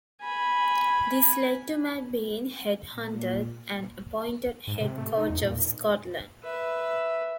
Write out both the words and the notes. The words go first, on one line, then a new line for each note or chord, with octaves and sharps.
This led to Matt being "head hunted" and appointed Head Coach of Scotland.
G#5 B5
A#2
G#2
C3
A3
D#4
E2
A#2
B4 E5